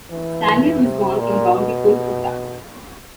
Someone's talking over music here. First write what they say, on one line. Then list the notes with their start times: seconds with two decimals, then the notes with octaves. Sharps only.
Staley was born in Bountiful, Utah.
0.10 E3
0.82 C3
1.19 A#2
1.55 B2